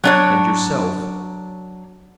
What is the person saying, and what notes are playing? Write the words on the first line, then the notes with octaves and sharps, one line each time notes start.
"And yourself?"
F#3 D4 C#5